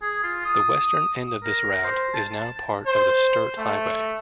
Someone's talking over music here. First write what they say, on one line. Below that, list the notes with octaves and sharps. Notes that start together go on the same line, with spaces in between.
The western end of this route is now part of the Sturt Highway.
G#4
F4
D#6
A#4
C5
A5
C5
A3